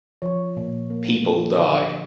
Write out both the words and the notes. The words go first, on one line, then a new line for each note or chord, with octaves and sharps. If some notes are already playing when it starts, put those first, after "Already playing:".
People die.
F3 C#5
A#2
A#3
F3
D3